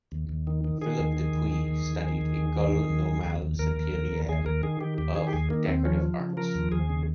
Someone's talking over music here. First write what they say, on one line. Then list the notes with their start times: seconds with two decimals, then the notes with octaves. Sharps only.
Philippe Dupuy studied École Normale Supérieure of decorative arts.
0.12 D#2
0.29 D#2
0.47 D#3
0.64 D#3
0.82 D#3 G#4
0.99 D#2
1.17 D#3
1.33 D#2
1.51 D#3
1.68 D#2
1.86 D#2
2.04 D#3
2.21 D#2
2.38 D#2
2.56 D#3
2.72 D#3
2.90 D#2
3.08 D#2
3.25 D#2
3.42 D#2
3.59 D#2 A#4
3.76 D#2
3.94 D#2
4.12 D#2
4.29 D#2 G#4
4.46 D#2 A#4
4.63 D#3 G#4
4.81 D#3 G4
4.98 D#2 G4
5.15 D#3 G#4
5.27 G4
5.33 D#2 G#4
5.50 D#3 A#3
5.67 D#2 C4
5.85 F3 C#4
6.02 F3
6.20 C#3
6.37 F3 A#4
6.55 D#2
6.72 D#2 G#4
6.89 C#3